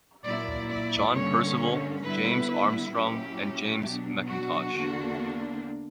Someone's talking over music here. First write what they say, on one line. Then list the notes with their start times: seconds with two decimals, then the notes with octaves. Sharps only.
John Percival, James Armstrong, and James McIntosh.
0.24 A#2 F#3 A#3 E4 D5
0.69 D5
1.14 G2 D3 A#3 C#4 C#5
2.03 D3 G3 B3 E4 B4
2.94 A#2 F#3 C#4 E4 G4
3.83 B2 F#3 B3 D4
4.28 F#4
4.73 E2 D3 A#3 D4